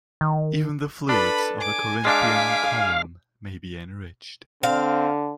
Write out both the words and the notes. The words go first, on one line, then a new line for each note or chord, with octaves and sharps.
Even the flutes of a Corinthian column may be enriched.
D#3
D4 A4 B4 B5
G#5 D6
G#3 D4 F5 D6 B6
D3 C4 F5